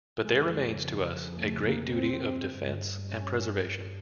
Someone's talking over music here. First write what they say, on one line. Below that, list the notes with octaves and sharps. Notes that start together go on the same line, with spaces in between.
But there remains to us a great duty of defence and preservation.
F2 C#3 G#3
A3
A#3
C4
G2
C#4